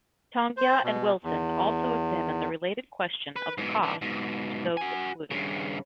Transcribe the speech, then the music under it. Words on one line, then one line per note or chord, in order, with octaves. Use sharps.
Tongia and Wilson also examine the related question of the costs to those excluded.
C5
B2
E2
B4
G#2 B2
E3 D4
G#2 B2
F#4 G#5
G2 C#3